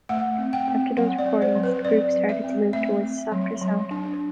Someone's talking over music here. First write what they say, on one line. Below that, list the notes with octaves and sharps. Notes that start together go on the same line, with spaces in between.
After those recordings the group started to move towards a softer sound.
A3 F#5
C4
G5
C4
F#3 F#5
D5
C4
C5
F#3
B4
C4 D5
F#3
E5
C4
A3 E5
C4
F#3
F#3
D4